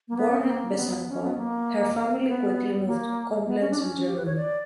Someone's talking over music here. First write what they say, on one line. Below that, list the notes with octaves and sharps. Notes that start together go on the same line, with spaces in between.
Born at Besançon, her family quickly moved to Coblence in Germany.
A#3
B3
C#4
B3
A#3
C#4
B3
C#4
B3
A#3
B3
A#3
B3
C#4
D4
C#4
G4
B4
C#5
D5